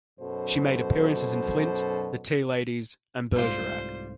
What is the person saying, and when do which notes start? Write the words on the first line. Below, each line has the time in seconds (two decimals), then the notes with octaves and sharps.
She made appearances in "Flint", "The Tea Ladies" and "Bergerac".
0.20 B1 F#2 B2 A4 C5
3.36 C2 G#2 G3 A3 F4 C5